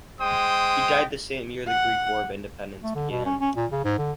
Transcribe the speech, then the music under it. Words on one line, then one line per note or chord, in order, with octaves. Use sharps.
He died the same year the Greek War of Independence began.
G#3 C5 G5 D#6
F#5
A3
D3
B2
C#4
C#4
A#2
C#3
G#2
D3